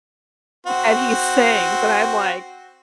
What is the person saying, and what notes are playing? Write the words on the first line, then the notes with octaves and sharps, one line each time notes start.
and he sings, and I'm like,
C4 F#4